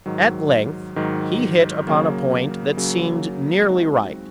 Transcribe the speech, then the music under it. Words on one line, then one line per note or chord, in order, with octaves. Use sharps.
At length he hit upon a point that seemed nearly right.
G#2 D#3 F#3
G#2 D#3 F#3
C#3 F#3 A#3
C#3 F#3 A#3
G#3 C4 D#4 F#4